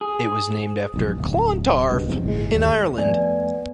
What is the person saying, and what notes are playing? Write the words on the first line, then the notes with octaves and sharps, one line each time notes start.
It was named after Clontarf in Ireland.
G#4
F1 B1
D1
C#2 G2 B2
E2 C3 F3
G1 A2 G#3
D#2 G3
F2 A3 B3 D5 G#5